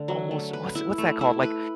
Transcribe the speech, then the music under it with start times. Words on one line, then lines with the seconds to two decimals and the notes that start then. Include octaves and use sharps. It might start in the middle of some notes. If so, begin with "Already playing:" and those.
almost what's what's that called? Like
Already playing: D3 A3
0.08 F#3
0.31 A3
0.53 B4
0.75 E4
0.98 A3
1.21 E4
1.43 B4